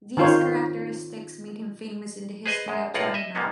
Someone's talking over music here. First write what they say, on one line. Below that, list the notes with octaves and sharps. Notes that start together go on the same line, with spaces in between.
These characteristics made him famous in the history of China.
D#3 C4 F4 C5 C#5
G#4 B4 C5 D#5 G#5
F#2 G#3
B1 A2 F4 G#4 A#4 F#5
D#5 E5
G#2 C3 A#3 B3 C#4